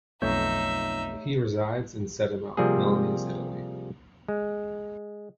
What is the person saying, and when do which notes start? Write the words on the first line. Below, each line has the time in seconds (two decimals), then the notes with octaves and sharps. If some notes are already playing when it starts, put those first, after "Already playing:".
He resides in Settimo Milanese, Italy.
0.22 B1 F2 A3 D#4 C#5 E5 G6
2.57 C3 F3 G3 A#3 C4 G#4
4.28 G#3